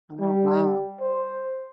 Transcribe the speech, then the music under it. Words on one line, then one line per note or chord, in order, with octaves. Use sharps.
Oh, wow.
G3
C5